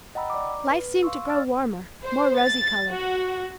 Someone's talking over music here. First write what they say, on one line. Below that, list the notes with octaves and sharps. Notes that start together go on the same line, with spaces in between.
Life seemed to grow warmer, more rosy colored.
D#5 F#5 G5 A#5 B5 E6
D5 A#5 D6
B4
F5 C6 C#6 E6
D5 E6 F6 A6
C5
A6
F#4